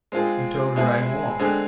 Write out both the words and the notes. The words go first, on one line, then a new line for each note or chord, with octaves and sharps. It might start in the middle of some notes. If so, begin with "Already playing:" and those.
I told her I had walked.
G#3 C4 F4 G#4
G#3 C4 E4 G#4
D3 G#3 C4 G#4